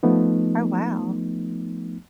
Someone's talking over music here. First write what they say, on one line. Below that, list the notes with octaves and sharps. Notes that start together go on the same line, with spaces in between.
Oh wow.
F3 A3 B3 D#4